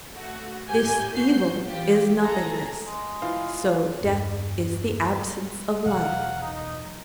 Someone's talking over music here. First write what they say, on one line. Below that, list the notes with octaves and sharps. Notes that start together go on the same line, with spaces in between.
This evil is nothingness; so death is the absence of life.
A3 F#4
G#1 A2 G4 G#5 G6
A#2 F#4 G6 C7
E3 F4 G4
G#4 A4 A#5
G#3
E3 F4 C5 F5
E2 G2
E1 F#3 A#4 F5 F#5
D#4